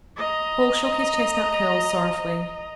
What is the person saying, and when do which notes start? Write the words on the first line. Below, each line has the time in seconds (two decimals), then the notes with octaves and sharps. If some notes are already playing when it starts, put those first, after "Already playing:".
Paul shook his chestnut curls sorrowfully.
0.17 D#5 A#5